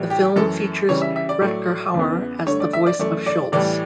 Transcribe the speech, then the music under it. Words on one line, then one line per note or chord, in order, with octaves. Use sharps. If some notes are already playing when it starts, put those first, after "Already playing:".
The film features Rutger Hauer as the voice of Schultz.
Already playing: A2 E3 G3
G4
F#2 E3 A3 A4
C#3 E3 G3 C#5
E5
E5
D5
A2 F#3 A3
E2 C#3 E3 B3
G2 D3 A3 C#5
D5
E5
D5
F#2 E3 A3 D5
D5
A2 E3 G3 D5